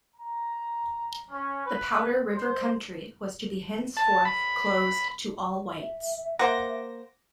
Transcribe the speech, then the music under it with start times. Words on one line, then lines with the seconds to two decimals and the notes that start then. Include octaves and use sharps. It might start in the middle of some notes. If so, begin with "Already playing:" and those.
The Powder River Country was to be henceforth closed to all whites.
0.15 A#5
1.30 C#4
1.65 B4
2.35 C5
3.97 A5
4.25 B5
5.80 E5
6.39 A#3 C5 F#5 D6 A#6